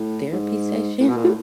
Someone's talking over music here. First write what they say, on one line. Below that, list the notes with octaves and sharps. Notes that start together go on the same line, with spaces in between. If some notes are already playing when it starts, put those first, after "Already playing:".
therapy session,
Already playing: A2
G#2
A2
B2
A#2
A2